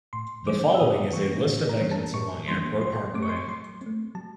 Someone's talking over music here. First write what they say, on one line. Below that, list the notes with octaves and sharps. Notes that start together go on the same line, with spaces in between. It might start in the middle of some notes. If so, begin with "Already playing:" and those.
The following is a list of exits along Airport Parkway.
A2 C6
E3 G3 A#3 D4 D6
E6
A2 D#6
E3 G3 A#3 D4 C#6
A2
A#5
E3 G3 A#3 D4
A5
A2 C#6
E3 G3 A#3 D4 C6
F#3 C6
A3 C4 D6
C#6
C6
C#6
F#3 C6
A3 C4
F#3 A5